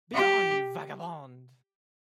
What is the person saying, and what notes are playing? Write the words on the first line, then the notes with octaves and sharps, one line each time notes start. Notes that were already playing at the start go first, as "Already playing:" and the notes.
Begone, you vagabond!
G4